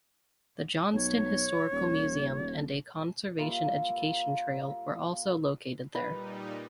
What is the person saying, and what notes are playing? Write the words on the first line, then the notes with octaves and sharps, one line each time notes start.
The Johnston Historical Museum and a conservation education trail were also located there.
B1 C#5
D#1
G3 A#3 F4 E5
A#2 G3 D#4 B4